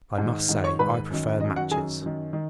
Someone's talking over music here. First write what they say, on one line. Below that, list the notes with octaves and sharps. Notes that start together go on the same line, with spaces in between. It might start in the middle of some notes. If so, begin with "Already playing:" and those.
I must say I prefer matches.
G#2 D#3
G#2 D#3
C#5 C#6
G#2 D#3 B4 B5
F#2 D#3
F#2 D#3 D#5
F#4 F#5
F#2 D#3 G#4 G#5
F#2 D#3
D#3